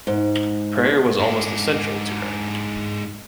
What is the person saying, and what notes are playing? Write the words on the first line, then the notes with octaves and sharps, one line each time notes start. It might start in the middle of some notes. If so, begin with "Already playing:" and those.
Prayer was almost essential to her.
G#2
G#2 D4